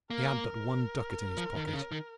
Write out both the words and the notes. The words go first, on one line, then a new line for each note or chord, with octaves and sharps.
He had but one ducat in his pocket.
A#3 A#4
F3
D#3
D#3
C#3
D#3